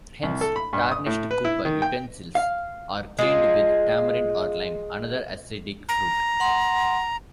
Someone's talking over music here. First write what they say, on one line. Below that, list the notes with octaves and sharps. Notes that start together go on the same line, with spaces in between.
Hence, tarnished copper utensils are cleaned with tamarind or lime, another acidic fruit.
C2
A4
B5
G2
D#6
A2
B4
E4
D#3
G5
F5
G#3 F4
A#5
F#5 C6